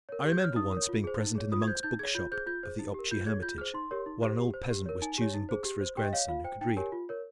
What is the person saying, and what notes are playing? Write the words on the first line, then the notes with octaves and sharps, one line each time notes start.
I remember once being present in the monks' bookshop of the Optchy Hermitage while an old peasant was choosing books for his grandson, who could read.
A#4 C#5
G4
G6
C#5 F6
D#4 D#6
A#4 C#5
F4
G#4 C5
D#4
G#4 C#5
F4 D#6
G#6
C5 G6
D#4 G6
G#4 C#5 G#6
F4 G6
G#4 C5 G6
F4 G6
G#4 C5
D#4
G4 A#4
F4 G6
G#4 C#5 G#6
F4 G6
G#4 C5 F6
D#4 C6
G4 A#4 C#5
D#4
G4 C5
G4
C5
G4
A#4 C#5
D#4 G#5
G4 C#5
D#4
G#4 C5
G4
C5
G4 G5
D#5
C#5 F5
F4 F5
C5 G5
D#4 G5
G4 A#4 C#5 G#5
F4
A#4 C#5